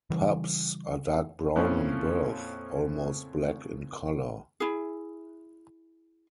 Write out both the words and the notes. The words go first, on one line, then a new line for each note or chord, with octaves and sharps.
Pups are dark brown on birth, almost black in colour.
C#3 E3 G3
F2 A#2 F3 C4 C#4 E4
E4 G#4